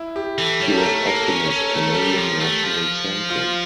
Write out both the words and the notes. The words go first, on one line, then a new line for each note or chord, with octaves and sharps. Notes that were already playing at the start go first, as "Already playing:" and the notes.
She was Optimist Canadian national champion.
Already playing: E4
G4
E3 A4
G3 C#5
A4
A#4
A3
A4
A#3
A#4
A4
C#4 A#4
C#4 C#5
A4
A#4
A3
A#4
A4
G3
G4
A4
F3
A3
F3
F4